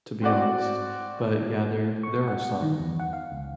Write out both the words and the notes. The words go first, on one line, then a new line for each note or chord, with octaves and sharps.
to be honest. But, yeah, there there are some.
C4 F#4 D5
C#6
F#5
D#3
E2
F#5
F5
C#2